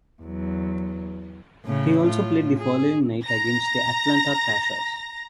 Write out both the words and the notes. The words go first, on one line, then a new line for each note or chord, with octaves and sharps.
He also played the following night against the Atlanta Thrashers.
E2 F#3
A2 C#3
A2 F4
G#4
A#5 A#6